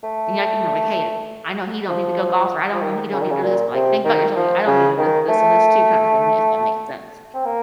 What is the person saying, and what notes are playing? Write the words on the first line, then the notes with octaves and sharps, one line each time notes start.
and, you know, like, "Hey, I know he don't need to go golf," or, I don't know, "He don't need to do this." But, like, think about yourself, like, "I don't need to do this, this and this too," kinda thing, if that makes sense
A3
F3
F3
D#3
C#3
D#3
C#3
A#2
C3
D#3
F3
C#3
D#3
A3
C4
A#3